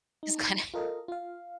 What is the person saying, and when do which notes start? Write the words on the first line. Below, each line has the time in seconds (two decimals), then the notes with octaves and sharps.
he's gonna
0.23 D#4
0.74 F4 A4 A#4 D#5
1.08 F4 F5